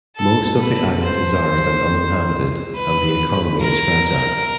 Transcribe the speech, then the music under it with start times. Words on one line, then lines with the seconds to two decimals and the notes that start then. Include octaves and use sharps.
Most of the island is arid and uninhabited and the economy is fragile.
0.16 A4
0.60 B4
1.03 C5
2.75 B4
3.61 A#4